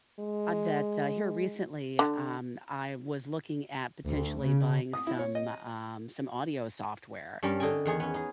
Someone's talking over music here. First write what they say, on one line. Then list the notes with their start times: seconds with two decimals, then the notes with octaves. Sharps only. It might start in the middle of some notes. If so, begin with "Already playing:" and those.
a that, uh, here recently, um, I was looking at potentially buying some, um, some audio software,
0.19 G#3
1.99 D3
4.08 D2
4.40 C#3
4.93 D#6
5.07 E4
5.19 C#5
5.35 D#5
7.43 G2 G3 C#4 A#4 A5
7.60 D3 D#4 D#5 G5 G#5
7.86 E2 D#3 G#4 C#5
8.00 B3 C#4
8.14 D#4 G#4